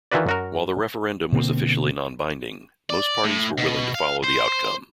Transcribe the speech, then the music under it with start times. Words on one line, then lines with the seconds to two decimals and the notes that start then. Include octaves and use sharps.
While the referendum was officially non-binding most parties were willing to follow the outcome.
0.12 D#3 E3 F4 F#4 B4 D5
0.27 F#2 F#4 A#4
1.32 B2 D3 A#3 C4
2.90 D5
3.24 A2
3.58 B2
3.95 F5
4.24 C5